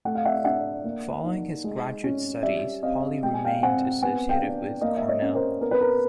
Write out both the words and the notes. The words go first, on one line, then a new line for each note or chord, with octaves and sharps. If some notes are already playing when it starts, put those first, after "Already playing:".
Following his graduate studies Holley remained associated with Cornell.
A3 F#5
F5
E5 F#5
D4 E5 F#5
A#3
D#4
G#3
C#4
G3 D5 E5
C4 D#5 F5
G#3 G5
G#5
F5 G5
C4 F#5 G#5
B3 F#5 G#5
F5 G5
D4
A#3 D#5 F5
E5
C#5 D#5
C#4
A#4 C5
B3 A#4
B4
A#4